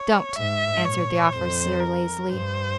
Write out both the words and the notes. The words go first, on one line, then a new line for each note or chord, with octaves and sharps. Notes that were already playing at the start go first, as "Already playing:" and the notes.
"Don't," answered the officer lazily.
Already playing: C#5
G#2 E5
A#2 C#5
F2 C5
A#4
G2 C5